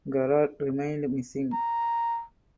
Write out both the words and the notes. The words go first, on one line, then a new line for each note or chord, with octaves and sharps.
Garat remained missing.
A#5